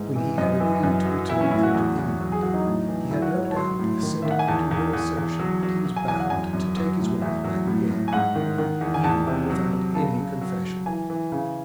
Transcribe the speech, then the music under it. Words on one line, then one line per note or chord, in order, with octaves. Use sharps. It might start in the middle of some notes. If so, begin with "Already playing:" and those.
When he had agreed to return with her to England he had no doubt assented to her assertion that he was bound to take his wife back again, even without any confession.
Already playing: G#2 E3
E3
F#2 D#5
E3
F#2
F#3
E3 E4
C#4
A2 E4
F#4
E2
E2
F#3
G#4
F#3 F#4
D#4
A2
E3
F#3 E4
F#4
G#2 C#5
C#5
A5
F#3 C6
A2
D#3
D#3 E5
F#5
G#5
E2 A5
E2
E2
E2
F#3
F#3
F#3
G#5
E2 G#5
F#5
F#2 G#5
F#2
F#3
A2
E2 E5
F#3
A2
A2
G#5
G#2 F#5
D#3
D#3
E2
G#5
E2 A5
C3
F#3
F#3
C#3 A5
C#3
F#3
F#3
E3 G#5
E3
C#3